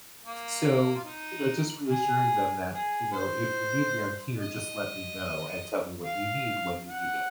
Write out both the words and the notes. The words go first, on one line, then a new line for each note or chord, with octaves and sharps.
So, you know, just reassuring them that, you know, "If you need me, I'm here, just let me know and tell me what you need when you need it."
A#3
F4
D#4
G#4
G#4
C5
D#5
F5
F#5